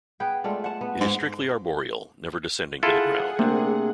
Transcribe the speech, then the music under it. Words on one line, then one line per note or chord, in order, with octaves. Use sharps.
It is strictly arboreal, never descending to the ground.
B3 G#4 B4 G5
G#3 A3 F4 D5
F#5 A5
B3
G#2
E4 F4 G#4 A4 F#5
C3 A3 A#3 D4